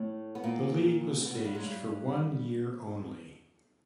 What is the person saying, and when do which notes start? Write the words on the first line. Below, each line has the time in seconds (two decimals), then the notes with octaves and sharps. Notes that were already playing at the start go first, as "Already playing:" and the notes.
The league was staged for one year only.
Already playing: A2 A3
0.35 B3
0.44 A#2 A#3
1.20 C4
1.24 B2 B3
1.34 A2 A3
1.45 G2 G3
1.55 G#2 G#3
1.65 G2 G3